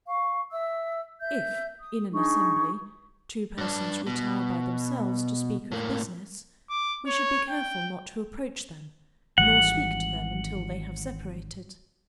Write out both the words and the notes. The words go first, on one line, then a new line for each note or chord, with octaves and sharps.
If, in an assembly, two persons retire by themselves to speak of business, we should be careful not to approach them, nor speak to them until they have separated.
F5 C#6
E5 E6
E5 G6
D#6
D4 D#4 G#4 C#6
G2 D4
B2
A2 A#3
D6
C#5
G5
G#1 E3 G3 F#5